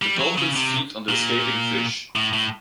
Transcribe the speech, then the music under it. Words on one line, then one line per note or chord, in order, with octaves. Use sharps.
The dolphins feed on the escaping fish.
G3
F#3
C#3
C3
A#2
A2
A2